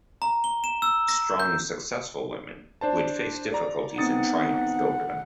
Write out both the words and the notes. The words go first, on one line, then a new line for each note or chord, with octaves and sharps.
Strong, successful women, who had faced difficulties and triumphed over them.
A#5
G7
E7
E6
A#6
G6
D4 C5 A5
D5 A#5
B3 C4 D#4 F#5 D#6 A6 C#7